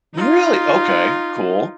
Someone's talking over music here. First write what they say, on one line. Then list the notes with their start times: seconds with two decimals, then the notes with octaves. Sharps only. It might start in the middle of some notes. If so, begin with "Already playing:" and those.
Really? Okay, cool.
0.15 D#4 F4